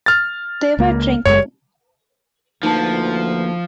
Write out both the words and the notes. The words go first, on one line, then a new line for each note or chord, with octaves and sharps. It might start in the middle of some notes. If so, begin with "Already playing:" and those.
They were drinking.
F6 A6
C#2 A#3
F#1 F#2 G#3 C#5
D2 F3 A#3 D#4 B4 A5